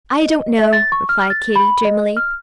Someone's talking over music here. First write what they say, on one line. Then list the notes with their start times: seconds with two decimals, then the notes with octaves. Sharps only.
"I don't know," replied Katy, dreamily.
0.22 D#5
0.59 E5
0.73 A6
0.92 C#6
1.09 F6
1.30 A6
1.56 B5
1.85 D#5
2.17 F6